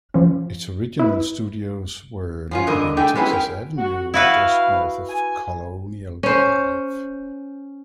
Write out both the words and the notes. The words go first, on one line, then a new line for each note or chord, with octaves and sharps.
Its original studios were located on Texas Avenue, just north of Colonial Drive.
F3 C#4
E4 B4
F3 C#4 F4
G2 D3 A#4 D#5
A3 D4 D#4 G#4 A4 G5
G#3 B3 C#4 E4 G4 G#4
A#4 G5
F#4
E4 F#4 B4 F5
G#5
C#4 C5